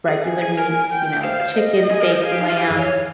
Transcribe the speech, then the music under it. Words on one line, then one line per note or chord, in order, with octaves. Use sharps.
regular meats, you know, chicken, steak, lamb,
G#4
G#5
G#4
A#4
G5
C5 F5
C5
D#5
G#4
A#4
C5
G#4 F5
G4
D#4
F4
G4
G#4
C#5